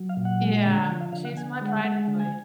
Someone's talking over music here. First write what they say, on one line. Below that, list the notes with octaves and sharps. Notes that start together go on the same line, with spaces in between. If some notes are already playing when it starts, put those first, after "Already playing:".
Yeah. She's my pride and joy.
Already playing: F#3
F5
A#2
F#5
G#3
D3
F3
F5
D3 F5
F#5
D3 G#5
F#5
G#3
F#5
G#3 F#5
D3
G#5